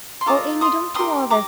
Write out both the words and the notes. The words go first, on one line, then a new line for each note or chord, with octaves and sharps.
'O Amy, don't do all this.
C6
F4 A4 D#5 A#5 D6
C6 D#6
D#4 G4 A#4 C6 D#6
A#5 D6